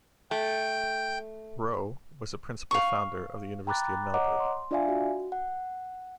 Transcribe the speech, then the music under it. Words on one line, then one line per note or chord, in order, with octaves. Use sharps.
Rowe was a principal founder of the University of Melbourne.
A3 G5 G6
F5 C#6
G5 A#5 B5 D6 F#6 A6
C#5 D#5 F#5 A#5 D6
C6
D4 F4 D5 E5 F5 G#5
F#4
F#5